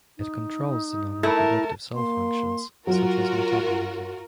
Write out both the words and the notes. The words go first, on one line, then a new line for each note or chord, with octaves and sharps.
It controls the non-reproductive cell functions, such as metabolism.
D#4
A3 E4 A#4 A5
A#3 C6
F#3 F4 F#4 A#4